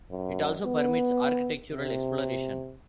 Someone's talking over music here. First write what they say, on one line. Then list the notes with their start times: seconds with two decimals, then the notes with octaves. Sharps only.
It also permits architectural exploration.
0.11 F#2
0.65 B3
1.70 C3